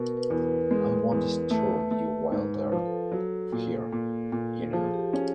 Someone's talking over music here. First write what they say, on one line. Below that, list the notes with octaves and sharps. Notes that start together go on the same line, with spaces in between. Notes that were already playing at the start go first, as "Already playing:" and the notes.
I won’t disturb you while they’re here, you know.
Already playing: B2 A#4
B4
E2
B4
G#3
E2
A3
A3
G#2 C5
C5
F3
A4
F#3
A#2
A#2
A#2
F3 G#4
G4
G#4
C#4